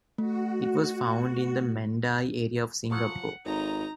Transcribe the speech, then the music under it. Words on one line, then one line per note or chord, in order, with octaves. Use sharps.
It was found in the Mandai area of Singapore.
A3 F#4
F3 F#3 F4 F#5
G#1 D#4 A4 C#5 A#5